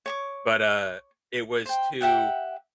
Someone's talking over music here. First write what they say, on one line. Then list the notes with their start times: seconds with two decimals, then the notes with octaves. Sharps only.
but, uh, it was too
0.06 C#5 C#6 D6
1.66 C5 G5
2.01 G4 E5 F#5 G5